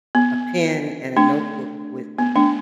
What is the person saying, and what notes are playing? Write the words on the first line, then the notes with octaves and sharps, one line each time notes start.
a pen and a notebook with me
B3
A3 D4
B3
A3 D4